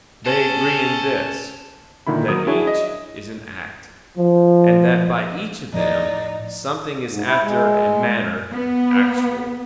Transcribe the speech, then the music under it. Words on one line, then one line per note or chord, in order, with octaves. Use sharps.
They agree in this, that each is an act; and that by each of them something is after a manner actual.
C#4 A4
A#2 D3 D#3 E4 B5
F#3 A#4 D#6
D4 E4 F#4 G#4 C#5
D#5
F3
A2 F3 D#4 D5
G#2
E4
G#3
B3